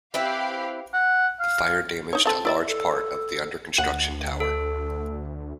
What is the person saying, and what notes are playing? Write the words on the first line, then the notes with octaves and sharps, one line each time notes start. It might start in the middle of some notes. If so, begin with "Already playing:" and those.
The fire damaged a large part of the under-construction tower.
C4 E4 G4 B4 F5
F#5
F5
D#4 C#5
C4 A4 F5
E4 D5 E5
A4
D2 F#5
A4